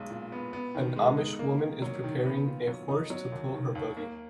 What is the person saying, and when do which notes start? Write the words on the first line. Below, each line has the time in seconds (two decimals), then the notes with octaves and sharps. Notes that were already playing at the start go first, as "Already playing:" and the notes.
An Amish woman is preparing a horse to pull her buggy.
Already playing: B1 G#3
0.10 A#2
0.32 B3
0.53 B3
0.75 D#3
0.96 G#3
1.17 D#4
1.39 A#3
1.61 D#3
1.82 F#3
2.04 D#3
2.25 B3
2.46 A#2
2.68 F#3
2.89 D#4
3.10 F#3
3.32 D#2
3.54 D#3
3.75 D#2
3.97 A#3